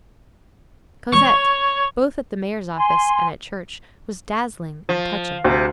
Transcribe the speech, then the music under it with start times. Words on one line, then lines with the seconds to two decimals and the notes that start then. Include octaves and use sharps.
Cosette, both at the mayor's office and at church, was dazzling and touching.
1.13 C#5 C#6
2.78 G#5 C6
4.89 F3
5.44 D2 C3